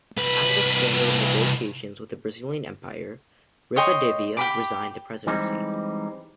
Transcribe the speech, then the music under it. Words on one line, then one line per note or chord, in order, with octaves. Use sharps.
After the scandal of negotiations with the Brazilian Empire, Rivadavia resigned the presidency.
C2 B4
C#5 D#5 G5 C6
G4 B5 D6
E3 G3 G#3 C4 D#4